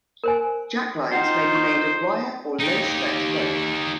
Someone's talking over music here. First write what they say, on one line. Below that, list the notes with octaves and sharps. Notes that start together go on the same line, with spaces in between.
Jacklines may be made of wire or low-stretch rope.
A#4 C5 G#5
D#4 F4 C5 F#5 G5
C#6
D#4 G4